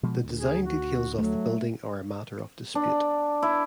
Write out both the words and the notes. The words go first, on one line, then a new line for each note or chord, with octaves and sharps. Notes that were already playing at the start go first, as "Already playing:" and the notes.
The design details of the building are a matter of dispute.
B2 F3 G#3
D2
G#4
F#4
F#3 A3
D4
E4